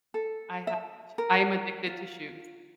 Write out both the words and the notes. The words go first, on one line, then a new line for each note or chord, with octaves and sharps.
I have sh I am addicted to shoes.
A4
E5
A#4
F4